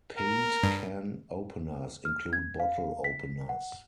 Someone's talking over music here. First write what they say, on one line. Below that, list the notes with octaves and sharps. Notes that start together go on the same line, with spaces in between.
Paint Can Openers include bottle openers.
A#4
G2
F6
G#6
F5
B6
F#5